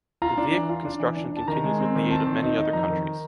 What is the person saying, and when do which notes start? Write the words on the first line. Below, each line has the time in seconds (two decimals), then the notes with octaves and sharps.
The vehicle construction continues with the aid of many other countries.
0.22 F4 A#5
0.38 D4
0.53 E3
0.69 F4
0.85 D4
1.00 E3
1.16 D4
1.32 D4
1.37 A5
1.48 D#3 A#5
1.64 G#3
1.79 C4
1.95 D#3
2.11 C4 A5
2.27 D#3
2.43 D#4
2.57 D#4
2.73 F2 A#5
2.89 D#3